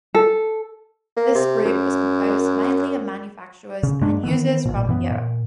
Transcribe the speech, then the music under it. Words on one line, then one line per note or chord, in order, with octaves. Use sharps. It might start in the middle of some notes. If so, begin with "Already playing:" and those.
This group was composed mainly of manufacturers and users from Europe.
A4
A#3
C3
F#2
C#3
G2 G#3 A#3 D4
D#3 E3 B3
A1 A#2
F#2 E3 B3
A#2